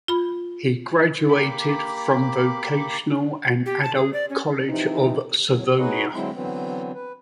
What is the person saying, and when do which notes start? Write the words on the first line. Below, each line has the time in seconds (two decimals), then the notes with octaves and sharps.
He graduated from Vocational and Adult College of Savonia.
0.08 F4 B5
1.28 A#3 G4 B5 D6
3.66 G4
3.82 A5
3.95 G#4
4.13 D5
4.30 C#4
4.69 C3 E3 F3 D#4
5.47 F2 A2 F#3
5.65 C3
5.79 D#4 F#4 G#4 B4 C#5 D#5
6.14 D3 F#3 G#3 C4 E4
6.34 D3 E3 F#3 B3 C4
6.94 B4